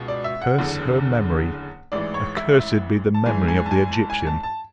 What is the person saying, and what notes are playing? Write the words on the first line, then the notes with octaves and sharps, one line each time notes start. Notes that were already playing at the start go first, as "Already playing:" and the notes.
"Curse her memory--accursed be the memory of the Egyptian."
Already playing: C#2 B2
D5
E5
F#5
F#1 E2 D3
A1 G#2 E3 D5
C#5
E5
E5
A5
G#1 G#2 E3 G#5
G#5
A5
G#5
A5
G#5
A5
A5